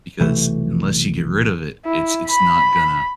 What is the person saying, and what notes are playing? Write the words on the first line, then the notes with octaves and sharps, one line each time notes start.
because unless you get rid of it, it's it's not gonna
B1 C3 E3 A3
E4
B5